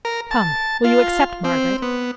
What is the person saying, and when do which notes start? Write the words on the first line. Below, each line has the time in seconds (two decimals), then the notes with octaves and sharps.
"Come, will you accept, Margaret?"
0.05 A#4
0.31 A5
0.84 F4
1.44 C4
1.82 B3